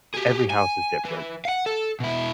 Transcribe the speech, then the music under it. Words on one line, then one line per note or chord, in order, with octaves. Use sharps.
every house is different,
G4 G#4
G#5
E3
F5 F#5
A4
B2 E4